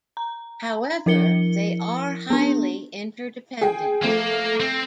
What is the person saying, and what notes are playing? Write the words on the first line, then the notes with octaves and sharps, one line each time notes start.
However, they are highly interdependent.
A#5
F3 E4 A#4 C#7 G7
B3 D4
G#4 G5
F3 A3 A#3
C4